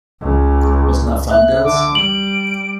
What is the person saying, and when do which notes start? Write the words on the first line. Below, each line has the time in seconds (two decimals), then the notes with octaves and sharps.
Wasn't that fun, girls?
0.21 C#2
1.31 E5 F#6
1.65 D3 D6
1.95 G3 D7 F#7